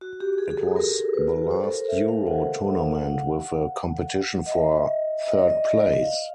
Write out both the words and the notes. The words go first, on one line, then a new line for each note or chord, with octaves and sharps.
It was the last Euro tournament with a competition for third place.
F#4
G4
G#4
G#4
A4
A#4
B4
C5
A4
A#4
E5
F5
F#5
F5
F#5
F5
D#5
E5
D#5
D5
D#5
F5